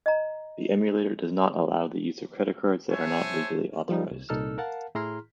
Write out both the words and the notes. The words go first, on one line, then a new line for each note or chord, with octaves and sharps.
The emulator does not allow the use of credit cards that are not legally authorized.
D#5 A#5
C5 C#5 E5 G#5 A5
F3 G3 D#4
C2
C2 A#2 D#4 A4 E6 F6
A#4 F5 F#5 A5
A2 E4 G#4 A#5 C6 F6